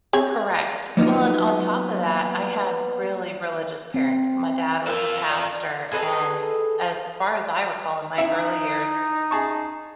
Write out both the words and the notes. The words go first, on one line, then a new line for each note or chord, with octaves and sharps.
Correct, well, and on top of that, I had really religious parents. My dad was a pastor, and as far as I recall in my early years,
C4 G#4 C#5
F#3 A#3 B3 D4 D#4 F4
C4
F4 A4 A#4
D5
G#4 A4 B4 D#5
D#4 E4
G#4 A5 C#6